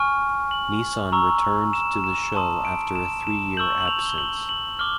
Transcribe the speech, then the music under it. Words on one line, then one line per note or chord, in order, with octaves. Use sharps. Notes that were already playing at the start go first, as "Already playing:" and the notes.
Nissan returned to the show after a three-year absence.
Already playing: G#5 C#6 F6
F#7
A#5 C#6 E6
E7
E7
A5 C6 D#6
D7
E7
E7
C#6 E6 G6 F#7
F#7
F7
G7
F#7
F#7
D6 F6 G7